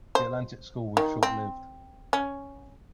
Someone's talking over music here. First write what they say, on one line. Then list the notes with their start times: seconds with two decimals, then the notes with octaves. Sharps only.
The Atlantic School was short lived.
0.15 C5
0.97 D#3
1.23 C4
2.13 C#4